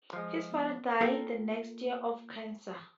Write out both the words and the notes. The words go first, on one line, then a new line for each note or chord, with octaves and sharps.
His father died the next year of cancer.
F3 G#3
B3
A#3 F4 A4 A#4 F5 G5